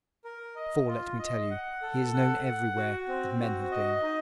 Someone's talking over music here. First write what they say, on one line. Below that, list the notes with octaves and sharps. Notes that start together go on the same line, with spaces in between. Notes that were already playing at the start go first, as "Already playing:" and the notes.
For, let me tell you, he is known everywhere that men have been.
A#4
D#5
F4
D#5
F#5
A4
F#5
F#5
F#4
C4
F#4
D#5
D#4